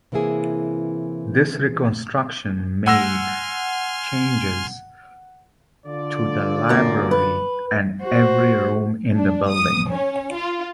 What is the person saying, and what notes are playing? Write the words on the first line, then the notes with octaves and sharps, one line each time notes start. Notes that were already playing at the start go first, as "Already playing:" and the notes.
This reconstruction made changes to the library and every room in the building.
C3 E3 A#3 E4 G#4
F#5 G#5 C6 E6 F6 A#6
D3 F4 D5
F#2 A#3
B4
F#4 C5
D4
D#6
C#4
F4